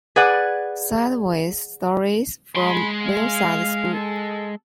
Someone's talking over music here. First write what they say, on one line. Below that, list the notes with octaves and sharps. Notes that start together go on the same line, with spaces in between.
Sideways Stories from Wayside School.
G#4 B4 D5 F#5
G#3 B5 C6
F5
A4